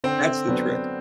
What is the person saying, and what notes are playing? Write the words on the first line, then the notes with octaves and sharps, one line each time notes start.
that's the trick.
D3 C4
F#3 B3 D4